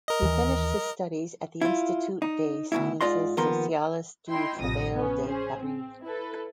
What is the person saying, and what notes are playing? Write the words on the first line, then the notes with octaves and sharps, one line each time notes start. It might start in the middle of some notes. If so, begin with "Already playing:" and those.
He finished his studies at the Institut des sciences sociales du travail de Paris.
A#4 D#5
D#2 E3
E4 F4
D#4
D2 G2 B2 E4
G#2 F4 D5 D#5 C6
D#2 F3 B3 A#4 C6
D#4 E4 G5 C6
A1 F2 C3 D#6 A#6
B3 C#4
C#4 G#4 C5
C4
E4 A4 B4